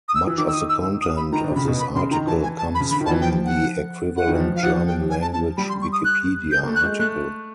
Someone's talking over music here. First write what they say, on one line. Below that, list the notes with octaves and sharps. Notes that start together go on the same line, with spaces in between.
Much of the content of this article comes from the equivalent German-language Wikipedia article.
D#6
E6
E3
D#3 D6
E6
D#6
E6
D#6
B5
D#3 A#5
D3
C3
C#3 B5
B2
B5
C#3 C6
D#3 A#5
E3 A5
G#5
A5
B5
C#3
D3 B5
D#3 A5
E3
F3 G5
F#5
F#5
D#3
E3
F3
F3
F5
F3 F#5
G5
G#5
A5
A5
G3 B5
C6
C#6
D#6
F#6
G6
A#3
A3
F#6
G#3
A3 F#6